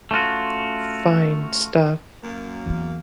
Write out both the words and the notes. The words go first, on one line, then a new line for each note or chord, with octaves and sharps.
Fine stuff.
A3 C#4 F4 F#4
F#2 A#3
E2